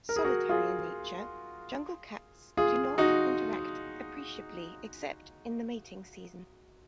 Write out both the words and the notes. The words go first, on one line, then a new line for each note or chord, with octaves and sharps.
Solitary in nature, jungle cats do not interact appreciably except in the mating season.
A#4
G#4
F#4 A#4
F4 G#4
F4 G#4
D#4 F#4